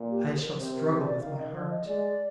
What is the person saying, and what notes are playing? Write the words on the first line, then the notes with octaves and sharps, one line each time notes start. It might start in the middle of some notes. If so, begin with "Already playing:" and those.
I shall struggle with my heart.
Already playing: A#2
G4
G#4
C5
A#4
C3 C5
A#4
C5
D5
D#3 F5
D#5
A#4
F3 C5
D#5
G#3 D5